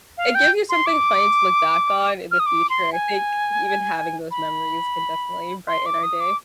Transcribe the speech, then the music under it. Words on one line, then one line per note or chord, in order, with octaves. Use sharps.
it gives you something funny to look back on in the future and I think even having those memories can definitely brighten our day.
F5
G5
C6
D6
F6
D#6
D6
C6
G#5
B5
C6
D6
D#6
D6